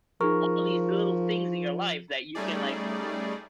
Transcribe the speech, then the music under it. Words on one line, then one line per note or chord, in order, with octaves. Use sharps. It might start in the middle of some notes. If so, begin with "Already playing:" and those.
all these little things in your life that you can, like,
F3 D#4 G#4 A#4 C#6
G3 A3 C#4 D#4 G#4 D5